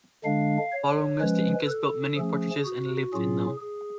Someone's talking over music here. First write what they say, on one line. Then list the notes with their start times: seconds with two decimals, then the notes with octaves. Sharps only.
Following this, the Incas built many fortresses and lived in them.
0.24 D3 G#3 D4 F5
0.72 C#5
1.20 F3 G#3 C#4 B4
1.68 A4
2.16 F3 A3 C#4 G#4
2.65 F#4
3.13 A2 F#3 C#4 F4 G#4
3.60 G#4